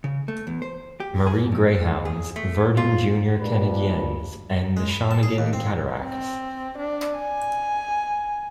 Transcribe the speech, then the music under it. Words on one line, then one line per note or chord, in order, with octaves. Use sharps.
Marie Greyhounds, Verdun Junior Canadiens and the Shawinigan Cataractes.
C#3
A3
E2
C5
G4
G#4
F2
G#4
A3
F4
G#1 G2 A#2 D4 B4
G#3
B5
A5
G#4
D#2
C4
C4
D4
G#5